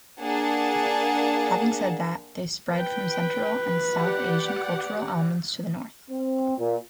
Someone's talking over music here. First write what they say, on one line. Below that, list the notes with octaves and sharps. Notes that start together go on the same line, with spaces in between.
Having said that, they spread from Central and South Asian cultural elements to the north.
A#3 D4 G#4 F#5 A5
B4 G5
G4 D5 F#5
C4
A#2